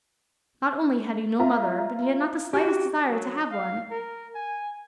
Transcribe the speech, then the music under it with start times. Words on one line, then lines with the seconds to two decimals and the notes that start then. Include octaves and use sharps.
Not only had he no mother, but he had not the slightest desire to have one.
1.39 F4 E5 A#5
2.53 F#4 G4
3.09 F#3
3.52 F5
3.91 A#4
4.35 G#5